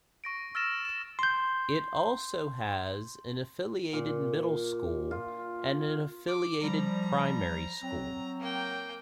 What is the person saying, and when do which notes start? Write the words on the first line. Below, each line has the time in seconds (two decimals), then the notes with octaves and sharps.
It also has an affiliated middle school and an affiliated primary school.
0.24 C#6 A#6 D7
0.55 E6 F6 A6 A#6 E7
0.85 E7
1.19 C6 G6
3.93 A#2
5.11 F4
6.27 D6
6.63 F3 G3 A#5
7.82 F#3 C4
8.39 A#3 G5